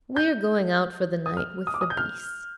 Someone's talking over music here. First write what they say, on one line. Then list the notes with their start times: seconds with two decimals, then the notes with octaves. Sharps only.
"We are going out for the night with the beasts."
0.16 G6
1.26 D#6
1.37 F6
1.67 D#6
1.74 D6
1.81 D#6
1.90 G6
1.97 F6